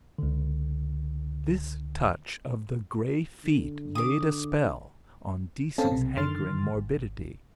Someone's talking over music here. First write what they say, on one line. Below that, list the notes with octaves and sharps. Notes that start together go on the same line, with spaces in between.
This touch of the grey feet laid a spell on Deasey's hankering morbidity.
C#2 D3
D3
D6 D#6
C4 C#4 A4 F5 A5
B1 C3
F#2 D3 D#3 C6 F6 A6
G#1